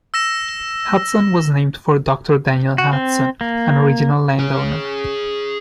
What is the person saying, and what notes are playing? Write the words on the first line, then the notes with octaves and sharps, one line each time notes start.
Hudson was named for Doctor Daniel Hudson, an original landowner.
E6 A#6 E7
F#4
C4
A#3
G#4 C#5